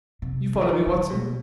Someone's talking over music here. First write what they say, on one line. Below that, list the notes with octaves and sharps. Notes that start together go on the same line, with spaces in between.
You follow me, Watson?
C3
D#3
E3
D#3
D3
B2